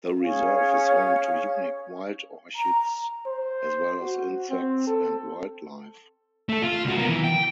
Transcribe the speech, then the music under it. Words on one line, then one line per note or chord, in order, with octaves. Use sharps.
The reserve is home to unique wild orchids, as well as insects and wildlife.
C#4 G#4 C#5 F5
A#5
C5
F#4
C4
A4
A3 A4
F4
C#2 F#4
B3 A#4
E3
G5